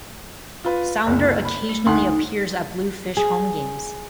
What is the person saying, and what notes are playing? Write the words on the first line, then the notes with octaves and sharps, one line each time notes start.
Sounder occasionally appears at Bluefish home games.
F4 B4
F#1 C2
B5
A3
D2 D#4 F#5 C6
G#4